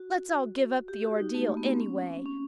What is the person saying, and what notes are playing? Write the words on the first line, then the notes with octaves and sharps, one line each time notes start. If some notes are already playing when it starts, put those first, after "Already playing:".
Let's all give up the Ordeal, anyway.
Already playing: F#4
G4
F#4
D#4
A3
A#3
B3
C4
C#4
C#4